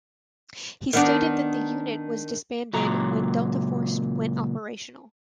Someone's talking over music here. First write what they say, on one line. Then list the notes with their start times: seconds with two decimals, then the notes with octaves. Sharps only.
He stated that the unit was disbanded when Delta Force went operational.
0.93 D#3 B3 D4
2.73 C#2 A#2 F#3 A#5